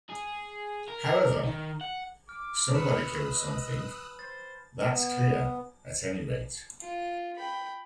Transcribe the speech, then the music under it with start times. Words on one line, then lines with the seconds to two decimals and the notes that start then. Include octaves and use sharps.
However, somebody killed something: that's clear, at any rate.
0.10 G#4
0.89 A#4
1.45 D#3
1.81 F#5
2.29 D6 F6
2.74 B4 B5 C#6 D#6 E6 F#6 E7
3.30 D#5
4.19 C5 A6
4.90 B3
6.81 F4
7.36 G5 B5